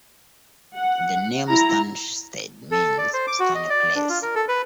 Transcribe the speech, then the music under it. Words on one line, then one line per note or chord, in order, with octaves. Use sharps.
The name Stansted means "stony place".
F#5
E4 A#5
A4
D5
C5
D6
F#4
D#5
D5
D4
F4
A#4
A4
B4